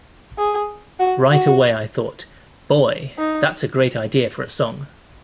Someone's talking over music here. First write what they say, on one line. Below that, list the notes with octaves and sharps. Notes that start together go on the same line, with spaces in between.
Right away I thought, 'Boy, that's a great idea for a song'.
G#4
F#4
F#4
D#4